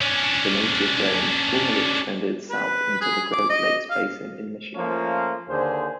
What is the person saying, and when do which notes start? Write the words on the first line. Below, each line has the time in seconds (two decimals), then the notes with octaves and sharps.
The native range formerly extended south into the Great Lakes basin in Michigan.
0.01 C#4 D4
2.50 B4
3.01 G#4
3.32 D6
3.49 D#5
3.90 F5
4.75 F3 A3 A#3 C#4 F4
5.48 D#2 D3 G#4 C5